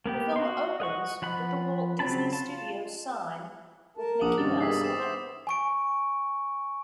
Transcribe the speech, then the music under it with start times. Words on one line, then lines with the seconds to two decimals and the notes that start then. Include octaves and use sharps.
The film opens with the Walt Disney Studios sign with Mickey Mouse on it.
0.06 A#3 B3 G4
0.36 F#4 C6
0.80 D#5 F#5 C#6
1.22 F3 F#5 B5
1.99 C#3 F#3 C4 A5 B5
2.32 F4 A5
3.97 A#4 A5
4.21 A#1 A#4 F#5 D6 D#6 F#7
4.38 G2 C3 D#3 C#4 D#4 A6
4.60 A#3 B3 G#4 E6 B6 C7
4.82 C4 D#6 E7
4.98 B3 E4 C5
5.47 G#5 C#6 D7